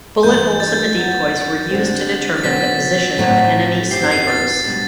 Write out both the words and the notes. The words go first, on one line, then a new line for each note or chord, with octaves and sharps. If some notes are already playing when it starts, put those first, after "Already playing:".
Bullet holes in the decoys were used to determine the position of enemy snipers.
G2 E3 A3 D4 G6
A6
F#2 F#3 B3
D3 G3 C4
A6
B2 F#3 C4 B6
A2 F#3 C4 F#4
F#2 F#3 C4 E4 G4 C7
C7
A6
B2 G3 D4